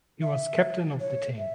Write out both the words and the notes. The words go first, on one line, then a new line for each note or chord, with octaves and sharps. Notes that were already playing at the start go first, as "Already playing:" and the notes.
He was captain of the team.
E5
C#5
E5